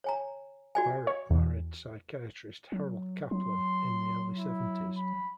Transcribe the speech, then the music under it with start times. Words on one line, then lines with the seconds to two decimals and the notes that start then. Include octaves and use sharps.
Barrett married psychiatrist Harold Kaplan in the early seventies.
0.04 C#5 G#5 A#5
0.75 F#4 D5 G#5
1.07 C#5
1.30 E2
2.72 F#3
3.31 F#3 C6
4.38 E4
4.97 B5